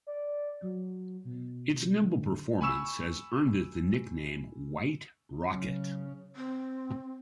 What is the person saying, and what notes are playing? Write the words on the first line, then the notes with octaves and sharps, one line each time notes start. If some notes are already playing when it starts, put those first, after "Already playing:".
Its nimble performance has earned it the nickname white rocket.
D5
F#3
B2
D3
G#5 B5 C#6 E6 E7
C#3 F#3 C#4
C4